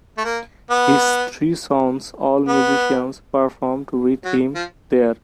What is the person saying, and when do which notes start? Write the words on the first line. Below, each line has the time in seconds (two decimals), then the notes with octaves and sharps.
His three sons, all musicians, performed with him there.
0.18 A3
0.25 A#3
0.70 B3
2.48 B3
4.25 F#3
4.55 F3